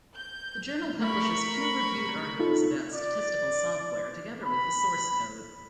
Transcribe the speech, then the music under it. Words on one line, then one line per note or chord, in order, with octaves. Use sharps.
The journal publishes peer-reviewed articles about statistical software, together with the source code.
G6
A3 A#4 B5 C#6
D#4 F4 A4
D5
B5